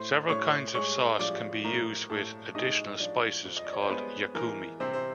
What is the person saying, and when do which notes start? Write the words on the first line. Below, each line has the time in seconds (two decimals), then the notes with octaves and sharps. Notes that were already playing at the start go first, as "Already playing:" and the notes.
Several kinds of sauce can be used with additional spices, called yakumi.
Already playing: A2 C5 C6
0.30 A2 C#5 C#6
0.74 G#3 C#5 C#6
1.19 F3 D5 D6
1.64 A2 A#4 A#5
2.10 A2 A4 A5
2.55 G#3 D#4 D#5
2.99 F3 D4 D5
3.45 F2
3.57 D#5
3.65 D5
3.73 C#5
3.82 C5
3.90 G#3 B3 B4
4.35 E3 A#4
4.80 C3 C4 C5
4.93 C5